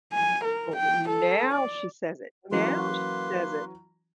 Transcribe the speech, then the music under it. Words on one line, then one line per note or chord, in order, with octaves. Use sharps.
Oh, well now she says it. Now she says it.
G#5
A#4
G5
A4
D5
E3 F#3 A#3 C#4 B4 C6